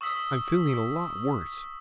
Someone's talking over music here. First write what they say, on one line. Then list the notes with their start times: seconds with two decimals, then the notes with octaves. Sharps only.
"I'm feeling a lot worse."
0.01 C#6 D#6 E6 B6 F#7